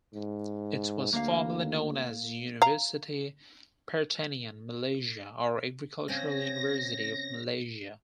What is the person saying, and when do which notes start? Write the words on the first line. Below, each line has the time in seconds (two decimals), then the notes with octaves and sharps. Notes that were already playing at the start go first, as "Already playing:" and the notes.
It was formerly known as Universiti Pertanian Malaysia or Agricultural University of Malaysia.
0.14 G#2
1.13 D2 A#3 A#4 F5
2.62 F5 A#5
6.08 C#3 C4 C#4 A#6